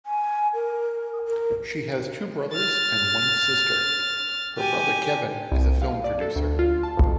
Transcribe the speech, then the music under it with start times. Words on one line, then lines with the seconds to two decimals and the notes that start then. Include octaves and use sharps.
She has two brothers and one sister; her brother Kevin is a film producer.
0.06 G#5
0.54 A#4
1.28 A#4
2.53 F6 A6
4.58 G4 G#5
5.52 C2
5.82 F5
6.04 D5
6.21 A4
6.36 D2
6.59 F4
6.83 A5
6.97 F2